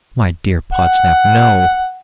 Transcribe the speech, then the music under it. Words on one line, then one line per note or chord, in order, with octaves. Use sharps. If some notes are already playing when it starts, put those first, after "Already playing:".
'My dear Podsnap, no.
F#5